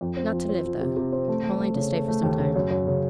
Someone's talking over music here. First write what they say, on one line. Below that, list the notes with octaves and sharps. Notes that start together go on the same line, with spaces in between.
'Not to live there: only to stay for some time.
F2
C4
F3
C4
F3
C3
C3
C4
A3
A3
A3
C#3
A3
A3
D#2
C#3
F#2
F#2
C#3